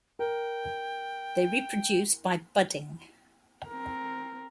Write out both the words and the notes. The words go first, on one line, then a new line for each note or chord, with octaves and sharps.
They reproduce by budding.
A#4 G5
C4 A#4